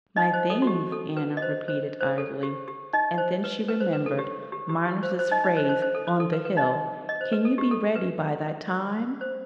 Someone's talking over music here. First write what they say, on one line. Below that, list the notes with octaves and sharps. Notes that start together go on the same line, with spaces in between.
'My things!' Anna repeated idly; and then she remembered Mynors' phrase, on the hill, 'Can you be ready by that time?'
D#4 D#5
C5
A4
F#4
G4
A4
B4
D#5
C5
C5
C5
A4
G4
G4
D#4 D#5
C5
B4
B4
C5
B4
A4
G4
G4
G4
G4
C5
C5
D#4 D#5
D#4 D#5
C5
C5
C5
A4
C5
A4
B4
B4
D#4 D#5
D#5
C5
B4
A4
G4
A4
B4
C5